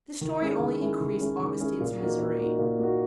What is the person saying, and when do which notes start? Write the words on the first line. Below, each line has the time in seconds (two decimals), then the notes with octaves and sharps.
This story only increased Augustine's misery.
0.21 D#3
0.41 G#3 C#4 E4 G#4
0.60 D#3
0.80 G#3 C#4 E4 G#4
1.01 D#3
1.20 G#3 C#4 E4 G#4
1.39 D#3
1.60 G#3 C#4 E4 G#4
1.80 A#2
1.99 A#3 D#4 F#4
2.19 A#2
2.39 A#3 D#4 F#4
2.59 A#2
2.79 A#3 D#4 F#4